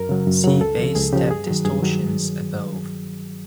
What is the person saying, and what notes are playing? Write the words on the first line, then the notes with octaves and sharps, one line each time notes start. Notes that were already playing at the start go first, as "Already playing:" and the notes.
See base step distortions above.
Already playing: F#2 A#4
C#3 F#3
F#2
C#3 F#3
C#2 A4
C#3 F3
C#2 G#4
C#3 F3 G4
G2 G#4
D#3 F#3
G2 G#4
D#3 F#3